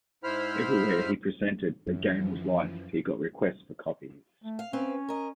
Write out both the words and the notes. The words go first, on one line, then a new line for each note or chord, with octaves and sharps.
Everywhere he presented "The Game of Life", he got requests for copies.
G#2 E4 C5 B5 F6
F#2 E3 F3
A3
F5
C4 C#4 B4 F5
A#4 D#5